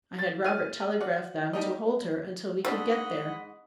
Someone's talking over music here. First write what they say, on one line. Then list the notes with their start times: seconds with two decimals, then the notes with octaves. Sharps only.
I had Robert telegraph them to hold her until we could get there.
0.19 A6
0.44 E3 C#5 F6 D#7
0.80 A#5
1.01 F#3 F#4 D5 F#5
1.53 G3 D#4 G4 D#5
2.65 G#2 C4 D4 A4 D#5 F#5 B5